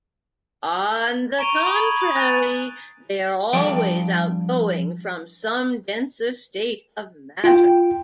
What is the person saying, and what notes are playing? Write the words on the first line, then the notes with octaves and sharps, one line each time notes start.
On the contrary, they are always outgoing from some denser state of matter.
A#5 C#6 D7 D#7 F7
B5 D#6 F#7 G7
G#6
D#6
G#5 F#6 A6 D#7 F7
G2 F3 D5 G5
F4 G5